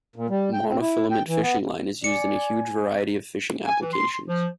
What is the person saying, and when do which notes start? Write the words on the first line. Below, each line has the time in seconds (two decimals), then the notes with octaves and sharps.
Monofilament fishing line is used in a huge variety of fishing applications.
0.16 A#2
0.30 G3
0.53 G5
0.69 C4
0.81 E4
1.11 G5
1.28 E3
1.42 B3
2.04 D5 G#5 C#7
3.66 G#5
3.81 E3
3.93 C6
4.27 F3